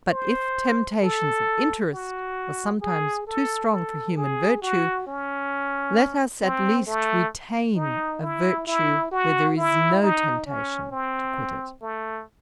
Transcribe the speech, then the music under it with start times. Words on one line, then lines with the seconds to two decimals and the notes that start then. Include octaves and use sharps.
But if temptations of interest are sometimes too strong for human virtue, let us at least retain a virtue where there is no temptation to quit it.
0.12 C5
1.02 A4
1.92 F#4
2.82 G#4
3.27 A4
3.72 A4
4.17 G#4
4.62 F#4
5.07 C#4
6.42 C4
6.87 A3
7.76 D#4
8.22 E4
8.67 E4
9.11 F#4
9.56 E4
10.02 D#4
10.46 C#4
10.92 C4
11.82 A3